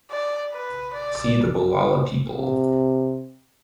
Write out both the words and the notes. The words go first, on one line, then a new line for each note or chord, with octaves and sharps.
See the Bulala people.
D5
B4
D5
C3